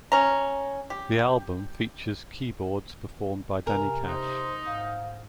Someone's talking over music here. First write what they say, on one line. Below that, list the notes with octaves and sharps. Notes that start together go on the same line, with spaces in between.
The album features keyboards performed by Danny Cash.
C#4 A#5
G4
C3 A#4 G#5
D#4 C5
G#2 F5